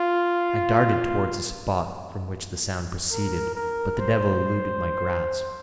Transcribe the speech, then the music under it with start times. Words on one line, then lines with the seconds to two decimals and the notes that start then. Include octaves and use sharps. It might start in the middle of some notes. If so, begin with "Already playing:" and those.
I darted towards the spot from which the sound proceeded, but the devil eluded my grasp.
Already playing: F4
3.11 A#4
3.55 A#4
3.99 C5